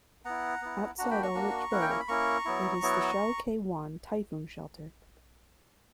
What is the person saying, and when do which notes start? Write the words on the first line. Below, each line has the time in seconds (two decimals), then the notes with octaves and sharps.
Outside Aldrich Bay, it is the Shau Kei Wan Typhoon Shelter.
0.25 B3 E4 F#5 A#5
0.62 B3 E4
0.98 A#3 D4 F#4 F#5 A#5
1.11 G5 B5
1.23 A#5 C#6
1.35 A#3 D4 F#4
1.72 A#3 C#4 E4 F#5
1.81 G5
1.90 A#5
2.00 B5
2.08 A#3 C#4 E4 A#5 C#6
2.45 F#3 B3 E4
2.82 F#3 B3 E4